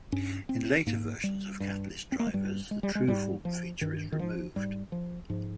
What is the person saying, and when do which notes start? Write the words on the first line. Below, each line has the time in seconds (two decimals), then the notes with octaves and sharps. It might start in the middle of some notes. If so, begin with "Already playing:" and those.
In later version of Catalyst drivers, the TruForm feature is removed.
0.12 G2 C#4
0.49 C4
0.87 G#2 A#3
1.24 G3
1.60 G2
2.12 C4
2.20 A#3
2.27 G#3
2.34 G2 G3
2.71 G#3
2.83 G3
2.95 G#3
3.07 G#2 G3
3.45 F3
3.81 G2 D#3
4.12 D#3
4.19 F3
4.56 G#2 G3
4.92 F3
5.30 G#2 F3